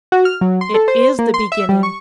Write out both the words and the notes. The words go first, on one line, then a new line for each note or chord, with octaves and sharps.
It is the beginning!
F#4
F6
F#3
C6
A4
C5
A#3
C6
E5
G3
C#6